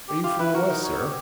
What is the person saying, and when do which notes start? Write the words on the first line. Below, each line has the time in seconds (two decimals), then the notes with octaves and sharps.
Are you from the west, sir?
0.08 G4
0.24 F4 G4
0.39 E4 B4
0.54 F#4 A#4
0.69 D#4
0.84 C#5
1.00 G4